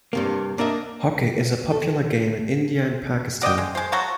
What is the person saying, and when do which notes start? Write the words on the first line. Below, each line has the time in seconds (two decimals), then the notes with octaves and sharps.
Hockey is a popular game in India and Pakistan.
0.13 G2 C3 A#3
0.58 A#3 D4 A#4 D#5 E5
1.71 A4
3.42 F#4 D5 D#5 G5
3.58 G#3
3.75 G#3 C5
3.92 F3 F#3 F#4 A4